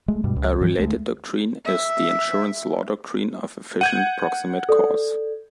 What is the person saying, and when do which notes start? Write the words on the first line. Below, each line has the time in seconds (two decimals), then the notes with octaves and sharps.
A related doctrine is the insurance law doctrine of efficient proximate cause.
0.08 G#3 A3
0.24 G2 B2 G3
0.36 C#2
0.61 G2 E3 F3 G3
0.78 D2 G#3 A3
1.65 E5
3.81 F#5 G6 G#6 D#7
4.69 A4 D5